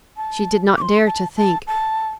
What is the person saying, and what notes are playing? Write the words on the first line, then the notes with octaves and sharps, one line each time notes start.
She did not dare to think.
A5
D6
C6
A5
A5
A5